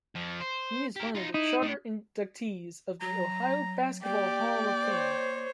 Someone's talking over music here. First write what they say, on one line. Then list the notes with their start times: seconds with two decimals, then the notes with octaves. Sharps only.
He is one of the charter inductees of the Ohio Basketball Hall of Fame.
0.15 F2 F3
0.40 C5
0.96 G4 A#4
1.15 D#4 F4
1.34 D#4 E4
1.63 A2
3.01 F#3 A#5
4.04 A#3 G4 D5 G5
4.87 C5 C#5